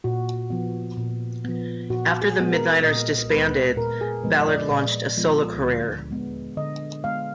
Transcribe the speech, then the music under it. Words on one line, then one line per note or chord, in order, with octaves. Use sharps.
After the Midnighters disbanded, Ballard launched a solo career.
A#2 F#4
F3 B3
A#2
F3 B3
A#2 F#4
G#4
G#3 B3
A#4
A#2 D#5
G#3 B3 B4
A#2 A#4
G#4
F3 G#3 B3 B4
D#5
D5
A#2 D5
F3 G#3 B3
D3
G#3 B3
D3 D#5
G#3 B3 F5